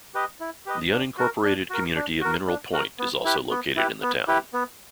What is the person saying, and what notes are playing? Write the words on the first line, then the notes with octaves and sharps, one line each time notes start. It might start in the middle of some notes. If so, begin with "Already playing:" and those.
The unincorporated community of Mineral Point is also located in the town.
G4 B4 D#5
E4
G4 B4 D#5
D4
F#4 A#4
D4
F#4 A#4
D4
F#4 A#4
D4
F#4 A#4
B3
E4 G4 B4
B3
E4 G4 B4
B3
E4 G4 B4
B3